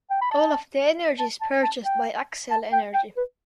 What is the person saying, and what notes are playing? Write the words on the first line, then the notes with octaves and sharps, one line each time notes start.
All of the energy is purchased by Xcel Energy.
G5
B5
A5
A5
A5
A5
G5
A5
G5
G5
B4